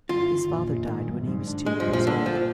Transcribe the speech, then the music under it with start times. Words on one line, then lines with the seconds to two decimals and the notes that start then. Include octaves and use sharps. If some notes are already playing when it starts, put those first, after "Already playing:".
His father died when he was two-years old.
0.09 G1 F4
0.30 D#3
0.49 A#1
0.69 A#1
0.88 D#3
1.08 G#2
1.27 G#2
1.47 D4
1.66 G3 G#3
1.80 F3
1.86 A#1
1.93 F3
2.06 A#2 D3
2.26 A#2 F3